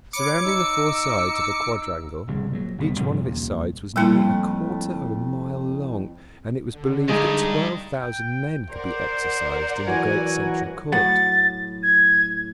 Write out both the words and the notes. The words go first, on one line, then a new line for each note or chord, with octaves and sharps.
Surrounding the four sides of a quadrangle, each one of its sides was nearly a quarter of a mile long, and it was believed that twelve thousand men could be exercised in the great central court.
C#5 B5 D6 C#7
D#4 E6
D1 C2 C#3
A#2 E3 F#3
G1 C2 B2 B3
G#2 C3 F3 G3
D#2 A#2
F2 A2 G3 A#3 E4
D3
G2 G#3 D#4
G5
A#4 C5 D5 F#5
E3 F#3 F#4 G#5
A2 F#3 F#5 A6
G#6